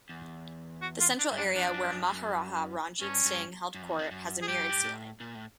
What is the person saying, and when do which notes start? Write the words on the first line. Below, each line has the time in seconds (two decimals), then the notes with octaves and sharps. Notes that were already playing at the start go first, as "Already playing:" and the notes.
The central area, where Maharaja Ranjit Singh held court, has a mirrored ceiling.
0.09 E2
0.82 F#4
1.01 F4
1.19 D4
1.31 G2
1.37 D4
1.44 F#2
1.55 F2 D4
1.74 F#2
1.91 F#2
2.10 F#2
3.01 G2 C#4
3.26 G2
3.74 F#2
3.82 F2
3.90 E2
3.99 F2
4.11 F#2
4.42 G#4
4.48 G2 G4
4.58 F#2
4.69 G2
4.84 A2
5.20 A#2
5.35 A2